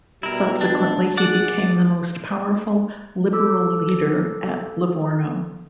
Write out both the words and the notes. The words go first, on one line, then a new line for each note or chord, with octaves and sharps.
Subsequently he became the most powerful Liberal leader at Livorno.
B2 G3 E4 A#4
D4
G#4 D5 F#5
A4 D6 E6